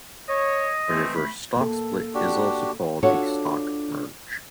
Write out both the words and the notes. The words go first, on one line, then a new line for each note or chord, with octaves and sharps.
A reverse stock split is also called a stock merge.
C#5 D#5
E3 A3 C4
A3 B5
A#3 A4
D4 F#4 G4
D4 F4 F#4 A4 C#5